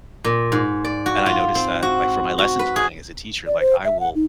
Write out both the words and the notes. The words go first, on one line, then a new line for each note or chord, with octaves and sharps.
And I noticed that, like, for my lesson planning as a teacher, like, I will
A#2
G#2
D5
F#4
F4
C4
F#4
F#4
B4
G#4
D5
C5
E5
F#5
D#4